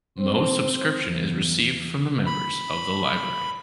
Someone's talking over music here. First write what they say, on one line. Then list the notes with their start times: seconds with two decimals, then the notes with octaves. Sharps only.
Mo subscription is received from the members of the library.
0.19 C4
1.06 E2
2.26 B5